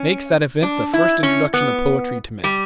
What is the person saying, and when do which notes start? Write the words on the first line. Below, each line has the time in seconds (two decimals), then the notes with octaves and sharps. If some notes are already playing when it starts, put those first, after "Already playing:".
He makes that event the first introduction of poetry to men.
Already playing: C#4
0.63 D4
0.94 E4
1.23 C#4
1.54 B3
2.44 G3